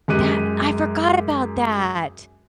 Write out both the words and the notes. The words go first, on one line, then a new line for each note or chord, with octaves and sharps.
that I forgot about that.
F#2 G#3 G4 F#6 D#7